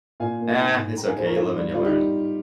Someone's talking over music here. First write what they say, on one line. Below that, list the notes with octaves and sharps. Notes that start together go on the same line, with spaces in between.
Ah, it's okay, you live and you learn.
A#2 F5 G#5
A#3
G#2 F5 G#5
G#2
G#3 G5 A#5
F5 G#5
A#2 G#4 C5
A#4 C#5
G#2 F4
G3
G3 F4
D#4 G4